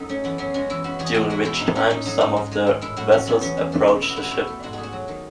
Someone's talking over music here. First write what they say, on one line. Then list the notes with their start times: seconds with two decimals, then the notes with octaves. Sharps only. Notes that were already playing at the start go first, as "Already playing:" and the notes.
During which time some of the vessels approached the ship.
Already playing: F#2 D#4 A4
0.09 A3 C#4
0.24 E3 B3
0.38 F#2 C#4
0.54 G#3 C#4
0.70 E3 E4
0.84 C#3 F#4
0.99 E2 G#4
1.14 E2 F#4
1.30 G#3 F#4
1.45 B2 E4
1.60 A2 D#4
1.75 A2 C#4
1.90 A3 D#4
2.05 F#3 D#4
2.20 G#2 D#4
2.36 G#2
2.51 G#3
2.67 D#3
2.81 A2 E4
2.97 A2 F#4
3.12 A3 C#4
3.26 F#3 B3
3.41 E2 C#4
3.57 E2
3.72 A3
3.88 B2
4.02 B2 E4
4.10 F#4
4.16 A3 E4
4.23 F#4
4.31 B2 E4
4.47 A3
4.63 G#2 F#4
4.73 A3 G#4
4.83 F#4
4.93 F#3
5.08 D#3